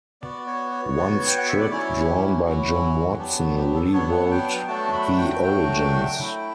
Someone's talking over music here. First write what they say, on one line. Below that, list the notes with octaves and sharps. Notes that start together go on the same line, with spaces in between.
One strip drawn by Jim Watson rewrote the origins.
B3 F#4 D5
C#5
C#5
B3 F#4
G5
F#5
E5
D5
F#3 C#4 E4 C#5
G4
F#4
F#3 C#4 E4 F#4
F#3 B3 D4 G4
F#4
G4
A4
F#3 B3 D4 C#5
F#5
G5
G5
F#3 A3 D4 F#4 A5
B5
G5
F#3 A3 D4 F#4 G5
A3 E4